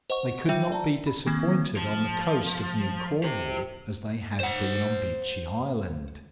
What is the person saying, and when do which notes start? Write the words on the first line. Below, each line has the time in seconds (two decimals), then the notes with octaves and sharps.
They could not be disappointed on the coast of New Cornwall as they had been on Beechey Island.
0.10 C5 D#5 F#5 C#6
0.48 F#3 F4 E5 G5 G6
0.72 D5 A5 A#5
1.07 B5
1.26 D#3 A#3 C4
1.76 F3
3.24 G4 C5
4.40 C5 F#5